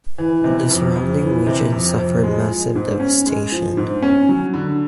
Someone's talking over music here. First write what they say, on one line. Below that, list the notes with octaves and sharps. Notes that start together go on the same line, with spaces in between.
The surrounding region suffered massive devastation.
E3
C3
F2
F2
E3
C3
F2
F2
G#3
F3
G#2
C#4
G#3
F3
G#2
C#4
F#3
D3